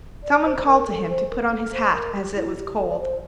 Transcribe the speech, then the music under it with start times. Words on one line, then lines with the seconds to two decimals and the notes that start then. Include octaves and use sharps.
Some one called to him to put on his hat as it was cold.
0.23 D5
0.45 C5
0.57 C5
0.66 A#4
0.87 A4
1.09 C5
1.30 A#4
1.52 A4
1.72 C5
1.93 A#4
2.15 G4
2.35 E4
2.57 G4
2.78 A4
2.89 D5
3.00 C5